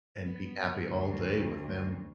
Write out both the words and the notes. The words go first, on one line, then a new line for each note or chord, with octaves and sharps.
and be happy all day with them
B3
D2